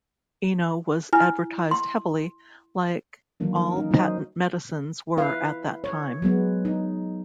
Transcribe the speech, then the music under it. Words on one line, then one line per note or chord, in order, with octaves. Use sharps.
Eno was advertised heavily, like all patent medicines were at that time.
E4 G#5 F6
C6
D#3 E3 F#3 A#3 D4
A#4
C#4 D#4
F#3 D#4 F#4 C5 D#5
E4 B4 F5
C#5
F#3 G#3 B3
D#4